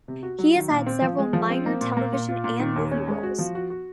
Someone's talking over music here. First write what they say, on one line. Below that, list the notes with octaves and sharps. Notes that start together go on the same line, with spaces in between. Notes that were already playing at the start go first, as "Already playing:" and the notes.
He has had several minor television and movie roles.
C3
F#4
F#3
D#3
A#2
C4
F3
G#3
F3
C4
A#3
A#2
A#3
A#2
F4
A#2
D#3
D#2
C#4
G#3
F#4
F3
F#4
F#4